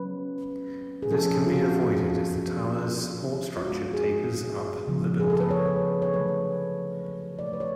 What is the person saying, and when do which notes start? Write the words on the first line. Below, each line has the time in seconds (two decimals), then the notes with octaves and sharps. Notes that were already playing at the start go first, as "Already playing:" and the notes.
This can be avoided if the tower's support structure tapers up the building.
Already playing: F#3 C#4 B4
1.02 G#4
1.10 F3 A3 C#4 A4
1.31 G#4
1.46 F4
1.53 F#4
2.37 F3 B3 D4 F4
3.57 F4
3.62 B2 G#3 B3 D4 F#4
3.94 G#4
4.87 C#3 F3 B3
5.19 G#4
5.30 A4
5.40 B4
5.50 C#5
6.02 C#5
6.13 D3 F#3 A3 B4
7.39 B2 F#3 A3 D5
7.46 C#5
7.53 B4
7.60 C#5